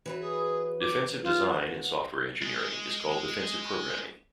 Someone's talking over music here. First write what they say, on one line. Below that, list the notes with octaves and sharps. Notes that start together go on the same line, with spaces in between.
Defensive design in software engineering is called defensive programming.
E3 F#3 B4
G#4
D6
F4
F#5
G#3 G#4